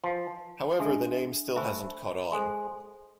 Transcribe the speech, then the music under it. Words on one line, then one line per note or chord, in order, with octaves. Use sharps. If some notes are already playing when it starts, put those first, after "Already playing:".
However the name still hasn't caught on.
F3 B4 F5 G#5 C6
G#3 D4 A4 E5 G#5
A3 C5 E5 G#5 B5
G#3 A4 C5 G#5 C6